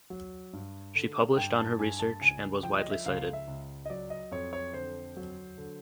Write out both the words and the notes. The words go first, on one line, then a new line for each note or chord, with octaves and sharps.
She published on her research and was widely cited.
F#3
G2
D3
G2 G5
A5
G2 G#5
A5
C#2 G#5
F3 G5
D#5
E5
C#2 F5
E5
C#2
D#5
F#3 D5
D#5
F2 C#5
C#5
D3 C5
F#3
D3